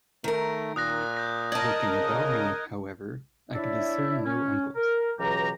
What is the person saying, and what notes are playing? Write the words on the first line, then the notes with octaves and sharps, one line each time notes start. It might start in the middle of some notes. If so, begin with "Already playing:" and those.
Looking about me, however, I could discern no uncles.
D#3 A3 A#4
A#2 D#6 F#6 A#6
G6 A#6
A#4 D5 D#5 A5 G#6
C#3
D4 E4 C#5 D5 E5
C#4
A#4
C#2 B2 E3 F#3 G4 A#5